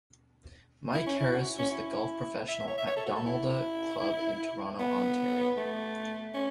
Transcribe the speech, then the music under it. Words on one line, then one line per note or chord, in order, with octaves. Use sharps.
Mike Harris was the golf professional at Donalda Club in Toronto, Ontario.
E4
C#4
E4
F#4
C#4
E4
E5
E5
C#5
E5
C#5
A4
F#4
A4
E4
B3
A3
C#4